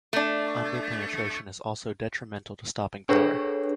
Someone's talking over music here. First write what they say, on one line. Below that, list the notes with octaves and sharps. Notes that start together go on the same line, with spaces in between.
Under-penetration is also detrimental to stopping power.
A3 D4
D4 G#4 A4 B4 C#5